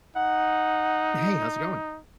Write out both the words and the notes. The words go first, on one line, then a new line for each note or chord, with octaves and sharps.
Hey. How's it going?
D#4 F#5